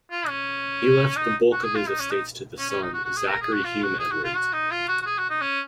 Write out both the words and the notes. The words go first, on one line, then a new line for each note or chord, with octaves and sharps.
He left the bulk of his estates to the son, Zacchary Hume Edwards.
F4
C#4
D#4
F#4
G#4
F4
D#4
C#4
D#4
C#4
C#4
D#4
F#4
F#4
G#4
A#4
G#4
F#4
F4
F#4
G#4
F#4
F4
F#4
D#4
F4
F#4
F#4
G#4
F#4
D#4
C#4